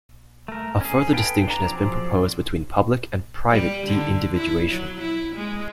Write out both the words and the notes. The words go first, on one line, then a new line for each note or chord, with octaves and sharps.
A further distinction has been proposed between public and private deindividuation.
A3 A#4
C#4 G#4
A4 B4 F5 G5 G#5
D4 A#5
F3 F#3 C4 G#4 D5
G3
D3
E4
F#3
E4
G#3